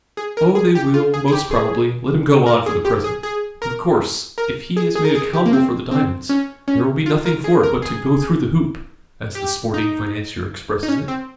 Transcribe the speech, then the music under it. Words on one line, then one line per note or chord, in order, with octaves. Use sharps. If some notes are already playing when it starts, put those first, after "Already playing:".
"Oh, they will, most probably, let him go on for the present; but, of course, if he is made accountable for the diamonds there will be nothing for it but to 'go through the hoop,' as the sporting financier expresses it."
G#4
A#4
G#4
G4
F4
G#4
G#4
G4
G#4
A#4
G#4
G4
G#4
G#4
A#4
A#4
G#4
G#4
A#4
G#4
G4
A#3
C4
C4
C#4
C#4
F4
A#4
G#4
A#4
G#4
G4
D#4
D#4
C#4
C4